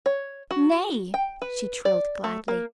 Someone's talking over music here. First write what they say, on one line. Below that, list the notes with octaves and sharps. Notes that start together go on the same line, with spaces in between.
"Nay!" she trilled gladly.
C#5
F#4
G5
B4
D5
A3
A#3